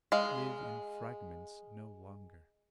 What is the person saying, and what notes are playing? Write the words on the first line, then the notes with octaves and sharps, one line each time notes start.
Live in fragments no longer.
G#3 F5